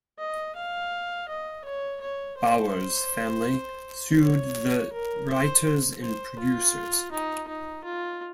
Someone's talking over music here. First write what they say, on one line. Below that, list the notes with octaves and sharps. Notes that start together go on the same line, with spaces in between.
Bowers' family sued the writers and producers.
D#5
F5
D#5
C#5
C#5
C5
C#5
A#4
C5
C5
F4
D#4
D#4
F4